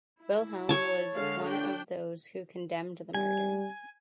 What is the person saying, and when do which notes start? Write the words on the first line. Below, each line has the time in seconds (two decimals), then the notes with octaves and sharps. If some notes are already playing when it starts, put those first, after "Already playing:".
Wilhelm was one of those who condemned the murder.
0.20 E4
0.69 C#5 A5
1.14 D3 G#3 F5
1.48 D4 G5
3.14 G3 G#5